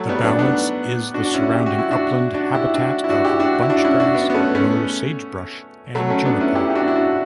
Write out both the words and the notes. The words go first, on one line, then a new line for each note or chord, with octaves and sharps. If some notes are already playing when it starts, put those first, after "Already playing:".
The balance is the surrounding upland habitat of bunchgrass, low sagebrush, and juniper.
Already playing: F#3 A3
G3 B3
B3 D4
B3 D4
D4 F#4
D4
C#4 E4
G4
F#4
E4
D4 F#4
D4 F#4
E4 G4
D4 F#4
E4
D4 F#4
E4 G4
D4 F#4
E4
D4 F#4
C#4 E4
D4 F#4
B3 D4
B3
A3 C#4
A3 C#4
F#3 A3
A3 C#4
B3 D4
C#4 E4
E4 G4
G4
D4 F#4
E4
D4 F#4